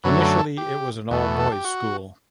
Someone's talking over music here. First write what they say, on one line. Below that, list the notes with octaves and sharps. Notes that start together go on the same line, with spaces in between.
Initially, it was an all-boys school.
F#2 D3 F#3 A3 B4
B4
A4
G4
E2 B2 A3
A4
G4
F#4